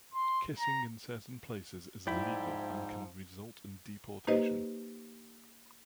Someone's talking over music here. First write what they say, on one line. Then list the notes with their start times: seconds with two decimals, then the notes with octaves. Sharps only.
Kissing in certain places is illegal and can result in deportation.
0.14 C6
0.59 A#5
2.07 G#2 F3 E4 D5 G5 B5
4.27 A#3 D#4 G4 B4 C5 D#5